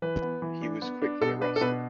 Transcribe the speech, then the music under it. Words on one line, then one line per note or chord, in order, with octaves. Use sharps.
He was quickly arrested.
E3 B4
B3
E3
D4
B3
D4
B2 A4
D4 B4
A4
B2 B4